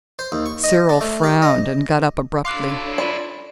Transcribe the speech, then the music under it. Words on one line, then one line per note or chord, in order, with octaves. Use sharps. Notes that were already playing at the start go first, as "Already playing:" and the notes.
Cyril frowned, and got up abruptly.
C5
D#2
C#6
D#5
D4
A3
G4
D#5
D4 E4 A4 C#5 F5 C6 D6 F#6
F4 D5 B5 C6